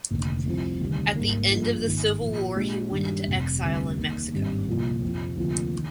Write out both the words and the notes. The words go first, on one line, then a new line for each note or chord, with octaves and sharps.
At the end of the civil war he went into exile in Mexico.
F1 D#2 D3
C2 C3 F3 C4
D2 C3 D#3 G3
G#1 G#2 G3 A#3
G2 F3 A#3 F4
G#1 G#2 D#3
A#2 F3 A#3
A#2 G#3 D4 G4
G2 D#3 G3
F1 F2 C3
D2 D3 G3 C4
D#2 D#3 A#3
G#1 G2 D#3 G3 C4
C2 A#2 F3
F2 C3 F3
D2 C3 F3 A#3
D#3